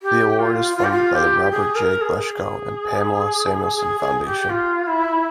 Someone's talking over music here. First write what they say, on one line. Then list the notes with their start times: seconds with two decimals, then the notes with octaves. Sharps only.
The award is funded by the Robert J. Glushko and Pamela Samuelson Foundation.
0.02 G4
0.39 F4
0.76 F4
0.84 G4
0.90 F4
1.14 G4
1.51 G#4
1.75 A#4
2.01 G#4
3.75 G#4
4.00 G#4
4.25 G4
4.49 F4
4.87 E4